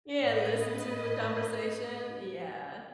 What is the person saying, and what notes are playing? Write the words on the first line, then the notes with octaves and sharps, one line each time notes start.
Yeah, and listen to the conversation, yeah.
A2 B4 D#5